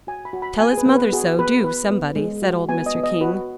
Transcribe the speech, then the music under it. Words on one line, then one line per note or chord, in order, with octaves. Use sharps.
"Tell his mother so, do, somebody," said old Mr. King.
F#4 G#5
B5
F#4
B5
B3 G#5
G#4
B4
B3
B4
F#4 G#4
B3 B4
B3 B4
B3
G#3
F#4
B3 G#5
D#5
B3
D#5
F#4 B4